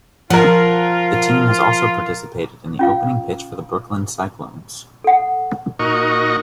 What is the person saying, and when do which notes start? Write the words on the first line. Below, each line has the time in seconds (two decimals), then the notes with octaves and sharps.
The team has also participated in the opening pitch for the Brooklyn Cyclones.
0.30 F3 F4 A#4 F#5
2.79 C#4 F4 F5
5.04 A4 F#5
5.79 A#2 D#4 F#4 A#4 D#5 C#6